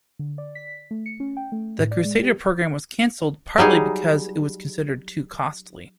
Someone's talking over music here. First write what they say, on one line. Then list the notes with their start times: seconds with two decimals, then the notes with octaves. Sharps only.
The Crusader program was cancelled, partly because it was considered too costly.
0.19 D3
0.38 D5
0.55 B6
0.91 A3
1.06 C#7
1.20 C#4
1.37 G5
1.52 A3
1.79 A2
1.91 D5
2.05 G#3
2.22 G4
3.58 F#3 G3 D#4 G#4